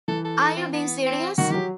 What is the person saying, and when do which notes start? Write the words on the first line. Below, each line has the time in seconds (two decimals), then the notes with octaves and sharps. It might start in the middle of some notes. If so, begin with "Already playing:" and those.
Are you being serious?
0.08 E3 A4
0.25 A4
0.41 A4
0.57 C4
0.73 B3
1.06 C4
1.38 D#3 F#4
1.50 E3 F#3 G4